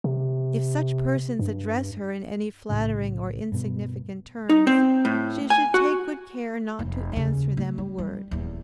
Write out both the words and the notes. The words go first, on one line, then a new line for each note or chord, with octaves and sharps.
If such persons address her in any flattering or insignificant terms, she should take good care not to answer them a word.
C3
G2
B1 A2 C#3
G2 B2
D#4
C4
A2
G#5
F#4
F1 F2
D#2 C#3
A3
G3
G3
D#1 E2